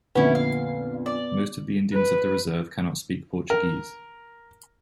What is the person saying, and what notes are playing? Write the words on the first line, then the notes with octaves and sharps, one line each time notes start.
Most of the Indians of the reserve cannot speak Portuguese.
F2 A#2 D3 B3 C#4 E4
F5
D5
B4
A#4